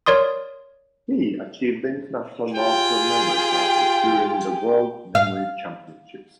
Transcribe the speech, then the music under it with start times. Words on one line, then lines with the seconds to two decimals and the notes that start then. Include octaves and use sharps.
He achieved the International Master of Memory title during the World Memory Championships.
0.06 A#4 C#5 D5 C6 D#6
2.56 F4 G4 G#4 G5
5.15 F5